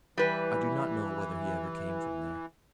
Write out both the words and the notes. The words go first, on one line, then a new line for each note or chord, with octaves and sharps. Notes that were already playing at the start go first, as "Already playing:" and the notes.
I do not know whether he ever came from there.
E3 G3 B4